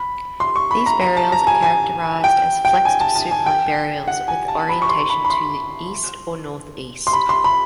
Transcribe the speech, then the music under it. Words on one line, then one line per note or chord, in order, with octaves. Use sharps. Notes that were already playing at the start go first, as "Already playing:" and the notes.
These burials are characterized as flexed supine burials with orientation to east or northeast.
Already playing: B5
C6
C#6
B5
A#5
A#5
A5
A#5
G#5
G#5
G5
G5
G#5
A5
A5
G#5
G5
F#5
G#5
A5
B5
C#6
C6
B5
B5
C6
C6
B5
C6
B5